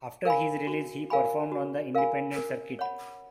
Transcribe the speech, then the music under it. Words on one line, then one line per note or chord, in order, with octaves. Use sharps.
After his release, he performed on the independent circuit.
A#4 F5 G#5 B5
F#4
A#4 F5 G#5 B5
F#4
A#4 F5 G#5 B5
A#4
C#5 F#5 B5